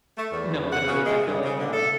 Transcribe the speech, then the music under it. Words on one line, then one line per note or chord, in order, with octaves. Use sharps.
No, literally. I feel like, uh
A3
E2
F#5
C#3
G#3
G2
C#3
D3
A4